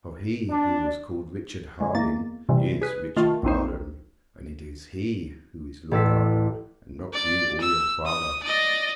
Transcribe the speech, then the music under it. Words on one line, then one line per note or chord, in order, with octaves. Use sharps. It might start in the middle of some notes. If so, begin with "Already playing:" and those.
For he who was called Richard Harding is Richard Arden, and it is he who is Lord Arden and not you or your father.
D4
D3 G#3
E2 A#3 A6
C3 E3 G3
G#4 B4
D#3 A3 F4 F5
A#1 C4 D#4 C5
A1 D5 E6 B6
D5
E6
D#6
D5 D#5